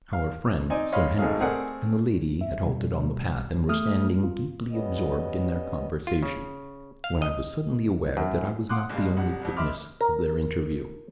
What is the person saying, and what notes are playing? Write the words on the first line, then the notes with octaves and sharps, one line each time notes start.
Our friend, Sir Henry, and the lady had halted on the path and were standing deeply absorbed in their conversation, when I was suddenly aware that I was not the only witness of their interview.
F5
C4 D#4 D5 G#5
C#5 D#5 F5 B5 C6
G#1 G#2 A3 G#4 F5
A3 C4 G#4 A#4 D5 F#5
E5
B2 G3
A3 D#6 F6
F4
G3 B3 C#4 D#5
F4
C#3
F5
D#5
F#2
F5 F#5 C6 D6 D#6 F#6
G1 G2 C#3 G#3
D#1 C2 F#5
C2 F2
D#5 E5 B5 C6 D6 F6
A#4